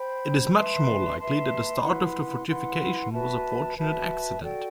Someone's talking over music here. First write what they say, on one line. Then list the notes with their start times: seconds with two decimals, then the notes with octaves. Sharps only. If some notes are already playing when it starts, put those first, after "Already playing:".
It is much more likely that the start of fortification was a fortunate accident.
Already playing: C5 G5 B5
0.54 B4 E5 A5 C6
1.19 B4 E5 A5 C6
1.83 E4 B4 F#5 C6
2.47 E4 B4 F#5 C6
3.11 F#4 B4 E5 A5
3.77 F#4 B4 E5 A5
4.41 F#4 A4 D5 G5